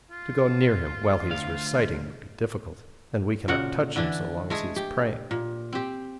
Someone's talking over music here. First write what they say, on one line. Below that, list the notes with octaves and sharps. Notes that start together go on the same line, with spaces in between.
To go near him while he is reciting would be difficult; and we cannot touch him so long as he is praying.
F4
D2 F5
A#2 C#3 F#4 F#5
D3 E3 D4
G#3 A3 G#4
G4
A#2
C4 G4